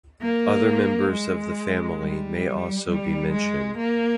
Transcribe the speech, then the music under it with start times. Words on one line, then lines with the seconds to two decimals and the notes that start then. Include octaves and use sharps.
Other members of the family may also be mentioned.
0.21 A#3
1.11 G#3
1.99 G3
2.88 G3
3.33 G#3
3.78 A#3